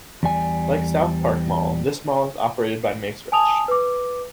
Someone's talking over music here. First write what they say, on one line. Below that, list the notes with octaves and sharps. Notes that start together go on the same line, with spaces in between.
Like SouthPark Mall, this mall is operated by Macerich.
E2 G3 G#5
G#5 A5 D#6 F7
B4 D6